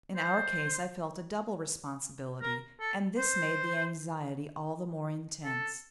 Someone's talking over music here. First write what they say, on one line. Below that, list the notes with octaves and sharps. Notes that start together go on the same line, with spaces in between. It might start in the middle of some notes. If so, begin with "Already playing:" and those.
In our case I felt a double responsibility, and this made the anxiety all the more intense.
C5
A#4
A4
C5
A4